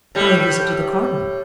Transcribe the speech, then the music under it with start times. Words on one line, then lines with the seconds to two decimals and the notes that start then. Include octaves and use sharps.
"By a visit to the cardinal."
0.15 A2 G3